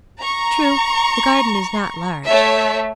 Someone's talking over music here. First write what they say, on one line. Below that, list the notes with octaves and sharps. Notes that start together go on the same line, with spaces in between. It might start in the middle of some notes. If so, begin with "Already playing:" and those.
"True, the garden is not large."
A#5 C#6
A3 C#5 E5